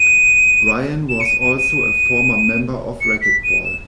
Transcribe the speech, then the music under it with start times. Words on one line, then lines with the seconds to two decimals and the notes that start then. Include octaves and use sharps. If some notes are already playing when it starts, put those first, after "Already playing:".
Brian was also a former member of Racketball.
Already playing: D#7
1.09 E7
1.20 C#7
1.26 D#7
1.41 D#7
1.58 D#7
3.01 C#7
3.21 B6
3.43 D#7
3.65 E7